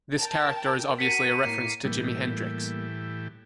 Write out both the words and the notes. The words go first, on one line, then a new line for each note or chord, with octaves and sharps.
This character is obviously a reference to Jimi Hendrix.
A#4 G5 A5
F#4 A#4 B6 C#7 D#7
A2 A#3 C7
A2 E3 G3 A#3 B3 G4